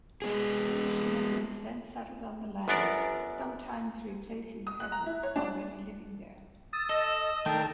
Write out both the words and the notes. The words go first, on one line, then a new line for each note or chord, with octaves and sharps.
Jewish immigrants then settled on the land, sometimes replacing peasants already living there.
G#3 B3 G#4
G1 F#2 B3 D4 A#4 D5
D#6
F#6
A#5
E4
C#5
D4
D#6 E6 A6
A4 D#5
D#3 A3 D4 A4 A#4 G5 A5